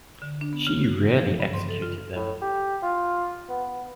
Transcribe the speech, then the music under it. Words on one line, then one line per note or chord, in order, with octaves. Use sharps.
She really executed them.
D3
D4
B3
C#3
F#4
E3
F3
G2
C6
A4
F4
A2
G4
F4
B3